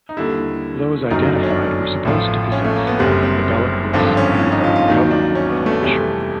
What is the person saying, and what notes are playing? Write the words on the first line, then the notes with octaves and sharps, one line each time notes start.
Those identified were supposed to possess a bellicose and ungovernable nature.
D#4
D#2 D3 G3 E4
G1 F#2 D#3 F#3 D#4
D4
C#4
D4
A1 A2 F3
C#4
A3
A#3
B3
F#1 F#2 D3 G3 C4
C4
G#1 G2 D3 F3 C4
C#4
D#4
F4
F4
D#2 D#3 F#3
D4
C#4
B3
A3
F2 C3 E3 G3 A3